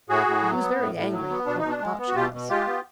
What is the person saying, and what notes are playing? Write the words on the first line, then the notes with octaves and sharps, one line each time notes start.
She was very angry, or thought she was.
A2 F#4 G#4
A2
F#3
B3
A2
A2
F#3
B3
B2 D4
D#4
B2
D4
G#3
B3
F#4
B2 F4 G4
B2
G#3 F4 G4
B3